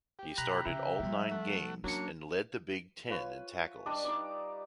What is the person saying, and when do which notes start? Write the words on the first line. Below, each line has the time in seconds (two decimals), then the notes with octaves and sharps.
He started all nine games and led the Big Ten in tackles.
0.19 G4
0.38 B2 A#5 B5 F#6
0.66 C#3 E5
1.00 F3 G3
1.31 A3 F#5
1.84 F#3 A#3 C#4 D4 C#7
3.09 F4 B4 C#5
3.86 G3 D4 D5 D#5
4.04 D#4 D5 D6